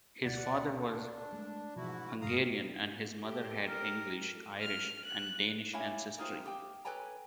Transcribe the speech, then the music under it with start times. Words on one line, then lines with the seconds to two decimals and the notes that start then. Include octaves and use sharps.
His father was Hungarian and his mother had English, Irish, and Danish ancestry.
0.25 D2 B2 B3 D5 F#5
0.90 D4
1.33 G#3 A3
1.76 G#2 B2 E3 F3 E4 F#4
2.22 G2 C3 G#3 F5 A#5 D#6
3.23 G4 A4
3.69 A#4
4.61 F6
5.05 F#6
5.73 A#3 E4 C#5 E5 G#5
6.17 A3 A#3 D#4 F4 G4 C5
6.45 G4 G5
6.85 A4 B4 C#5 G5 G#5 A#5